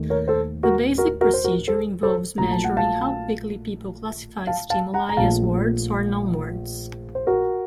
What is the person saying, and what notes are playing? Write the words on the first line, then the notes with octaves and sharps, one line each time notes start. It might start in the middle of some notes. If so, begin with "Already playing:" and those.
The basic procedure involves measuring how quickly people classify stimuli as words or nonwords.
Already playing: D#2 D#3 A3
A#4 C#5
A4 C5
F#4 A#4
F#4 A#4
F#4 A#4
C5
F#4 A#4
A4 C5
A4 C5
A#1 A#2 F#3 A3 A#5
A5
F#5
F5 A5
F5 A5
F5 A5
F#5 A#5
A#5
A#1 A#2 F3 A3 F5 A5
C5
F#4 A#4